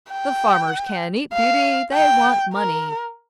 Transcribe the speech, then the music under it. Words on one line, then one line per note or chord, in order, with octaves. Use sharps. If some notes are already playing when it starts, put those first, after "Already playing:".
The farmers can't eat beauty; they want money.
G5
F5
G5
A#4